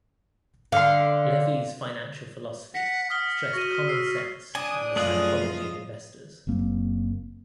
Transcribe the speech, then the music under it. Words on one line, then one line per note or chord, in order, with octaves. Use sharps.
Levy's financial philosophy stressed common sense and the psychology of investors.
D3 F5 C6
F#5 A#6 B6 C#7
D#6 F6 B6 G7
F#4 A#6 D#7
E6 C7
D4 G#5 D#6
F#2 F3 A3 F4 G#4 D#5 F#6
F#1 F#2 A#3 C4